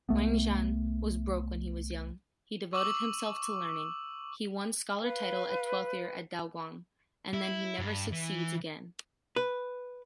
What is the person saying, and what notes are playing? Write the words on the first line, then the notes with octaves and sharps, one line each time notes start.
Wang Zhang was broke when he was young. He devoted himself to learning. He won scholar title at twelfth year of Daoguang, and then he never succeeds again.
C2 A3 B3
C#6 D6 E6 F#7
B4 F5
E4
G2
E3
B4